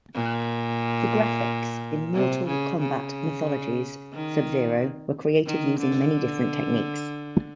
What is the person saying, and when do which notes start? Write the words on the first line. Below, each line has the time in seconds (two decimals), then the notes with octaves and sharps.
The graphics in "Mortal Kombat Mythologies: Sub-Zero" were created using many different techniques.
0.14 A#2
2.14 C3
2.47 C#3
2.80 C#3
4.13 D#3
5.46 D#3
5.79 D3